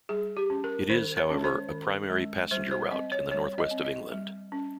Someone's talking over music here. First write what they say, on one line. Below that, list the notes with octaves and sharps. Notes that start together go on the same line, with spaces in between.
It is, however, a primary passenger route in the North West of England.
G3 G#4
G4
C#4
A#4
D#3 C5
C#5
G#3 C#4
C5
D#3
G#3 C#4
G3 C5
C5
C4 D#5
C#5
G3 C#5
D#5
C4
D#5
G3
C#4